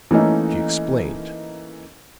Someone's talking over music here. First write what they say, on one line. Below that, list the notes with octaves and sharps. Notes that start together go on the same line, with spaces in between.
She explained.
E3 A3 A#3 C#4 D#4